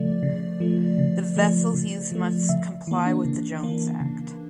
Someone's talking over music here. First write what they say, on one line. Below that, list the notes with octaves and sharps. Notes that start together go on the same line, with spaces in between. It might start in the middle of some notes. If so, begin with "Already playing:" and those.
The vessels used must comply with the Jones Act.
Already playing: C#3 F3 A3 D5
C#3
F3 A3
C#3
F3 A3
C#3
F3 A3
C#3 E5
E3 A#3
D4
C#3
E3 A#3
C#3